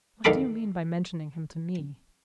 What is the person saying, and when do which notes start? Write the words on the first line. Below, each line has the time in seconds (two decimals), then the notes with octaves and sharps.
"What do you mean by mentioning him to me?"
0.24 E2 D#3 A4 F5 B5 D6